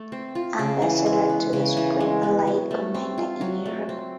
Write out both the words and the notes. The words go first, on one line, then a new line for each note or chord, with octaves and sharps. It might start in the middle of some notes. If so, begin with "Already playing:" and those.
Ambassador to the Supreme Allied Commander in Europe.
Already playing: A3
C4
F4
C#3
E3
G#3
B3
C#3
E3
G#3
B3
F#3
A3
C4
F4
F#3
A3
C4